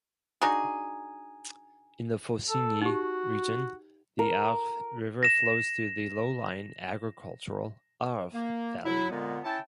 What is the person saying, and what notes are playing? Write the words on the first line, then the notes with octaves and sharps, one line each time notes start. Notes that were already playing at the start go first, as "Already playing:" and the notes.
In the Faucigny region, the Arve River flows through the low-lying, agricultural Arve Valley.
D4 D#4 F#4 G#4
A4
D#4 F#4 G4
A#4
A#6 E7
A#3
F#3 E4
F2 A#2 D3 G#3 B3
C#4 E4 G5 A5